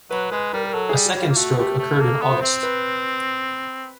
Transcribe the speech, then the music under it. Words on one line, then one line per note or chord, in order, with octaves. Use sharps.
A second stroke occurred in August.
F#3 B4
G#3 B4
G3 A#4
A#4
F#3 A4
G#4
G3
F#4
G3
F4
A#3
A3 F#4
A3 G4
A3
A#3 A4
B3
C5
C4
B4